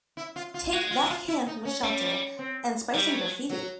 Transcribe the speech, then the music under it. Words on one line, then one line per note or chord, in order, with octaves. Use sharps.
Take that can from the shelter and spray some graffiti.
E4
F4
F4
G#3 F#4
F4
E4
F4
E4
D#4
C#4
G3
C4
F#3 G3
F#3